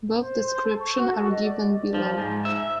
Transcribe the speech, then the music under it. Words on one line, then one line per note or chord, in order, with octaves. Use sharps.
Both description are given below.
C5
C5
A4
C#6
F#4
A4
D#5
D5
F3
G#2
E5